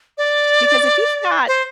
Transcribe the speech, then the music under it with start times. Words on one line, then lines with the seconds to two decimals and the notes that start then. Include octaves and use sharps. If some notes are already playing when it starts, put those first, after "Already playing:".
because if you've got
0.18 D5
1.48 C5